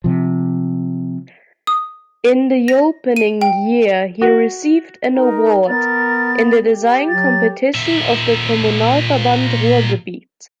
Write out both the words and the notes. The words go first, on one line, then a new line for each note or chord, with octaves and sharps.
IN the opening year he received an award in the design competition of the Kommunalverband Ruhrgebiet.
C3 F3
D#6
A#6
D#7
G5
F#4
D#4 A#4
B3 A#4 A6
G4
F#3 A6
A#2 E5